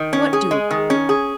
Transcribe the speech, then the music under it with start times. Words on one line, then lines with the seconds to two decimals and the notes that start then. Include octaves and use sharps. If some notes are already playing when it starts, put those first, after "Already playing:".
"What duke?"
Already playing: D#3
0.13 C#4
0.33 G#4
0.51 G#3
0.71 D#3
0.90 C#4
1.09 G#4